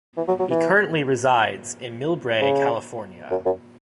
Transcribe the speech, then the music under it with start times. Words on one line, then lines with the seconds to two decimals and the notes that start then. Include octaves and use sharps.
He currently resides in Millbrae, California.
0.17 E3
0.28 F#3
0.39 F#3
0.50 E3
2.41 C#3
3.31 F#2
3.45 F#2